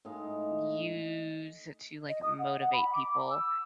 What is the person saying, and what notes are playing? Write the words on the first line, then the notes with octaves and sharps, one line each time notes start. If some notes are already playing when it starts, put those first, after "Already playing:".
use to, like, motivate people.
A2 G#3 D#4 F5
D#5
D#6
F#5
F#5
B5
D6
E6